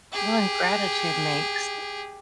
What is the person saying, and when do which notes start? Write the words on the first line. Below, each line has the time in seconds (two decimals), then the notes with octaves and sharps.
Well, and gratitude makes
0.13 G4 G#4